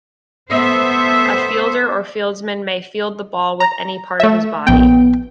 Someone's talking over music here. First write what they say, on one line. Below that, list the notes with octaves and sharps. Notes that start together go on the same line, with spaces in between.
A "fielder" or "fieldsman" may field the ball with any part of his body.
B3 A4 C5 E5
A#5
A3 E5
A#1 B3 G5